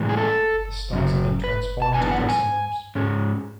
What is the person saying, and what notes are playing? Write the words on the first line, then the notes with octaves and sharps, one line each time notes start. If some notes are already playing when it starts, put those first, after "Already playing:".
The stalls had been transformed to dressing rooms.
Already playing: A2 E3 G#3
G#4
A4
F#2 C#3 F#3
B4
A5
F#2 E3 B3 D4 G#5
F#5
G#5
G#2 G#3 C#4